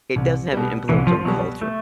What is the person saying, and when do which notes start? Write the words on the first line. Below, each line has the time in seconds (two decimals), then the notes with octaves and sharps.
It doesn't have an influence on culture,
0.16 C2
0.53 B2 G3
0.89 C2 E3
1.07 F3
1.25 B2 F#3
1.28 G3
1.61 A3